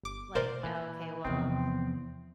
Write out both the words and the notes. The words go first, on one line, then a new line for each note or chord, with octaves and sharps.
like, oh, okay, well,
G1 D6
B2 A3 A#4 C5 D5
A#1 E3
E2 C3 F3 C4